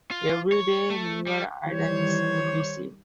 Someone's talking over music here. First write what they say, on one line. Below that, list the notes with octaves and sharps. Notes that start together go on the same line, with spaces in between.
Every day, newer idents could be seen.
F4
C#5
A3
G3
D#3 E3 G3 C5 C#5